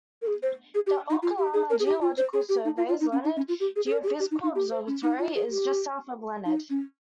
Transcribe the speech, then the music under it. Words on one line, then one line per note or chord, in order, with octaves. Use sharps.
The Oklahoma Geological Survey's Leonard Geophysical Observatory is just south of Leonard.
A#4
G#4
C5
G#4
G4
D#4
F4
G4
G#4
A#4
G#4
G4
F4
C5
G#4
G4
D#4
F4
F4
D#4
C#4
D#4
C#4
F4
G4
G#4
G#4
A#4
G4
G#4
G4
D#4
D#4
G4
C5
C#4
D#4
F4
G#4
G4
D#4
C#4